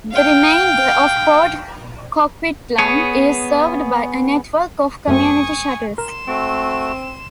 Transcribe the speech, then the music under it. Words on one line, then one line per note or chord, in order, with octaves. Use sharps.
The remainder of Port Coquitlam is served by a network of Community Shuttles.
F5 G5
B3 G#4 C#5
F#2 A3 C4 G#5 C#6 D#6
A#4 C6 E7
A3 C4 F#4